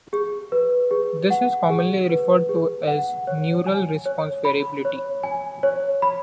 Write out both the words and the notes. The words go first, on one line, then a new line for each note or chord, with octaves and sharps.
This is commonly referred to as neural response variability.
G#4
B4
G#4
F#5
G#4
B4
G#4
F#5
C#5
G#5
C#5
B5
C#5
G#5
C#5
B5